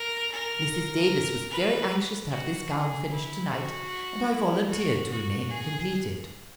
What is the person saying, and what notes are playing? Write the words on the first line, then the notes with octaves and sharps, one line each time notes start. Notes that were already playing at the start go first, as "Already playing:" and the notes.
"Mrs. Davis was very anxious to have this gown finished to-night, and I volunteered to remain and complete it."
Already playing: A#4
A#4
B4
F#4
G#4
E4
F#4
E4
F#4
F#4
G#4